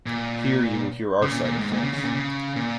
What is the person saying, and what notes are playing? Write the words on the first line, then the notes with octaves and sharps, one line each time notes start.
Here you will hear our side of things.
A#2
C#3
A#2
A#2
G#2
A#2
C#3
C#3
A#2
C#3
A#2